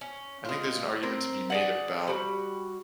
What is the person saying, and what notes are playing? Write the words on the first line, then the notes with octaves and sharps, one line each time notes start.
I think there's an argument to be made about,
C#4
G#3 F4
C4 A#4
G#4 D5 F#5
G3 F#4